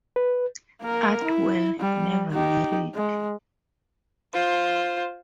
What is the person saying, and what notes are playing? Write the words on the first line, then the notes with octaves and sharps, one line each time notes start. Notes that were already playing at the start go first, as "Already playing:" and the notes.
Atwell never married.
B4
A#3 A#4
E4
G3
D#4 G4
G#3
F4 C5